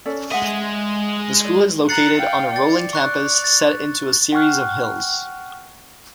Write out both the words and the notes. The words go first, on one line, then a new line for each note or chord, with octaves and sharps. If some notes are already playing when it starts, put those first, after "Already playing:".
The school is located on a rolling campus set into a series of hills.
C#4 A4 D5
G#3 D#5 E5 F#5
E4 D5
A#5 F#6 A6 C7 C#7
F5 G5
D5 A6
C#6 F#6
A6
F#5 G5 C#6 F6 F#6